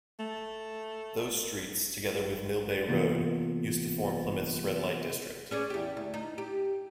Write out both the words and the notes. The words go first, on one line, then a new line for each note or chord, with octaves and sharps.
Those streets together with Millbay Road used to form Plymouth's red light district.
A3
C3 E3 A#3 B3 F4
C#4 G#4 D5
E2 G4
D2
D#4
G4